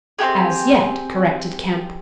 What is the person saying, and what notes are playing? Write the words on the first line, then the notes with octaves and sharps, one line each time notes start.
"As yet," corrected Kemp.
C4 D4 G4 G#4